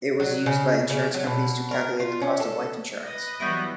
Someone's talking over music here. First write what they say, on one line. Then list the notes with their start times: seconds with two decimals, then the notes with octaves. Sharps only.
It was used by insurance companies to calculate the cost of life insurance.
0.20 F#3
0.46 C#3
0.90 C#3
1.14 F#3
1.27 B2
1.71 A#4
2.00 F4
2.22 C#4
2.40 A4
3.04 B4 D#5
3.40 E3 F#3 G3 B3 E4 C#6 G6